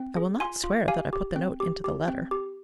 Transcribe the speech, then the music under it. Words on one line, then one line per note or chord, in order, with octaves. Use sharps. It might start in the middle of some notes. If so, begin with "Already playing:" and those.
"I will not swear that I put the note into the letter."
Already playing: C4
G#4
F4 G#5 C6
F4
G4 F5 G#5
G4
C4
G4
G4
C4
G4